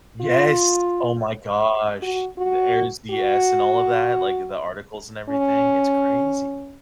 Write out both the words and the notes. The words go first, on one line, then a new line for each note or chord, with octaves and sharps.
Yes. Oh my gosh. The "-ers," the "-s" and all of that, like in the articles and everything, it's crazy.
F4
F#4
F#4
F#4
C#4